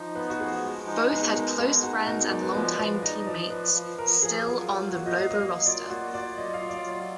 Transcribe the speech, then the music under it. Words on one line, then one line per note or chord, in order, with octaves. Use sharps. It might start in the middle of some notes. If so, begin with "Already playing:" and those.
Both had close friends and long-time teammates still on the Lobo roster.
Already playing: F3 D#4
B3 B4
F#4
F3 G#4
G#3
D#4
B2 B4
G#3 A#4
B2 G#4
D#4 F#4
B2 A#4
G#3 D5
B4
F3 B4
F3 D5
D#4 D#5
F3 D5
F3 B4
F3
F3 A#4
F3 G#4
F#3 F4
F#3
A#3 F#4
D#5
F#3 F5
D#5
A#3 D#5
F4 D5
A#3 F#4
F4 D5
F#3 D#5
F5
F4
D5
F#3